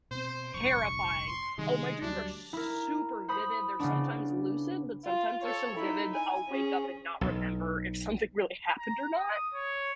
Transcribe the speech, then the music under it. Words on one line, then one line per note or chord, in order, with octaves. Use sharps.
terrifying. Oh, my dreams are super vivid they're sometimes lucid, but sometimes they're so vivid, I'll wake up and not remember if something really happened or not.
B2 C4 C5
F1 A#1 G2 C#6
C6
C3 D#3 G3 G#3
D2 F#3 G3 D4
E4 A#4
C5 B5 D#6 B6
C#3 B3 D4
F4
A4 C#5
D#4 E4
G#5
C#4 G#4
B1
A#5
D#6
C#5